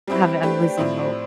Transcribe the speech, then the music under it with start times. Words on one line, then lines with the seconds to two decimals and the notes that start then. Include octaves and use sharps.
have a I'm losing hope.
0.08 G3 C4 E4 G4 B4 C5
0.43 A3 D4 G4 B4 C5
0.61 D5
0.77 A2 F3 C4 E4